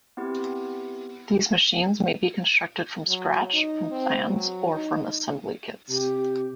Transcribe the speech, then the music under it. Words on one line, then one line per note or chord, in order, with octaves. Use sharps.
These machines may be constructed "from scratch", from plans, or from assembly kits.
B3 C4 E4 G4
F#3
D#4
C4
F#3
D#4
C3 G4